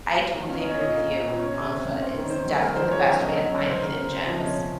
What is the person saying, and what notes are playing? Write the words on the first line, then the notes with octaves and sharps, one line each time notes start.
I totally agree with you on foot is definitely the best way to find hidden gems.
A#3
D#3
C#4 F5
C#4 D#5
C#5
A#2 D#5
A#3
A#2
A#2
C#4 C#5
C3
C3
C#4
C4
D#3
D#3 C5
F#3
G#3 A#4
F3 C5
F3 C#5
C#4
F#3 D#5
F#3
C#4 C#5
C#3 C5
C4 A#4
C4
C3 C5
F3
D#5
C#3 C#5
C#3